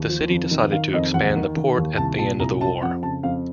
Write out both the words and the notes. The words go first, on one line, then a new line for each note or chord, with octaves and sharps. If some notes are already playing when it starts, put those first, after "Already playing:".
The City decided to expand the port at the end of the war.
Already playing: D#2
F3
F2
D#3
D#3 F5
F2 D#5
D#2 F#5
D#3
D#3
D#2
C2 A5
A#2 A5
C2 A#5
F3 A5
F2 F#5
C#3 A5
F2 F5